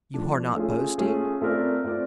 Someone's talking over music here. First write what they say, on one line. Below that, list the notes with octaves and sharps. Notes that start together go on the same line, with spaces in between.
"You are not boasting?"
F3 A3 D4
A3 C#4 F4 G#4
A3 C#4 F4 G#4
A3 C4 F4 A#4 D5
A3 C4 F4 A#4 D5